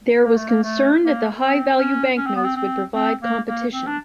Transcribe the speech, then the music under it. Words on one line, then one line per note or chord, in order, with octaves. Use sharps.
There was concern that the high value banknotes would provide competition.
A#3
A3
A#3
A3
A#3
C4
C#4
C#4
C4
B3
C4
C4
C4
A#3
A#3
C4
D4